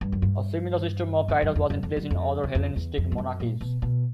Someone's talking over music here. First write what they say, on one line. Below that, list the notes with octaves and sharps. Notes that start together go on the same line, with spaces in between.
A similar system of titles was in place in other Hellenistic monarchies.
G2
F#2
G2
F2
F#2
F2
F#2
F2
F#2
F2
E2
F2
E2
F2
G2
F#2
A#2
B2
B2